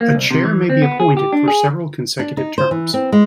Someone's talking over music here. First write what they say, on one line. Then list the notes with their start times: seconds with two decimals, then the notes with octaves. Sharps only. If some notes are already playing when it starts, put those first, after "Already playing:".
A chair may be appointed for several consecutive terms.
0.01 A#3
0.15 C2
0.31 C3
0.44 E3
0.70 C4
0.82 B3
1.00 G#4
1.17 G4
1.33 D4
1.48 G#4
2.19 D4
2.37 D#4
2.58 C5
2.71 E3
2.94 C4
3.12 G#3